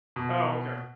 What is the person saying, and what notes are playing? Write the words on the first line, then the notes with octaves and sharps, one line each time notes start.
Oh, okay.
B2